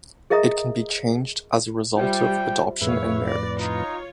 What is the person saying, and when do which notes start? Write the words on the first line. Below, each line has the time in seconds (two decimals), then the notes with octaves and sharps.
It can be changed as a result of adoption and marriage.
0.30 G#4 A#4 D#5 E5 A#5 D#6
1.97 G3 F4 C5 E5 G5
2.81 F2 A2 G#4 B4 C#5 E5 F5
3.28 D5 A#6
3.60 D#4 F4 C#5